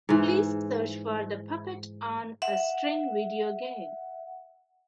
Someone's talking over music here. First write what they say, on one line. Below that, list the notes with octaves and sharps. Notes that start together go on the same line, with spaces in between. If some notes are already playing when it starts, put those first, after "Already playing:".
Please search for the Puppet on a String video game.
G#2 E3
E5 F#5